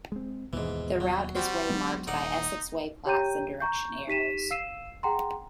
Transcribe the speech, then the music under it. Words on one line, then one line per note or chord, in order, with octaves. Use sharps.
The route is waymarked by Essex Way plaques and direction arrows.
G#3 C4
D#2 G#2 B2 E3
F#3
G3 C4 F#4
F#3 G#3 B3
D#1 D#4 A4 D5 F#5
G4 C#5 G5 A#5 G6 D#7
A#5 C#6 G6
D#4 G4 B6 D#7 E7
F5 E6 C7 D#7 E7
G#4 F#5 G5 A#5 C6